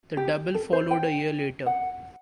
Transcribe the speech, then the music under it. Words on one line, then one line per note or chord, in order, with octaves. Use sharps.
The double followed a year later.
G4
A4
C5
G5
F#5